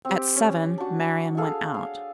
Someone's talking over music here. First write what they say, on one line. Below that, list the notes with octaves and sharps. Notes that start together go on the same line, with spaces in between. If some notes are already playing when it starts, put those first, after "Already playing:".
At seven, Marian went out.
C4 G4
C#4
D4 F#4
G#4 A4 F5
F5